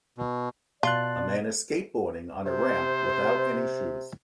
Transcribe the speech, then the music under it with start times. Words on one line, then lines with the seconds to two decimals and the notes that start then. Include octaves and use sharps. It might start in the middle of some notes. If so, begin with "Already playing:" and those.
A man is skateboarding on a ramp without any shoes.
0.18 B2
0.83 B2 F4 D5 A5 C6 F#6
2.45 C3 C5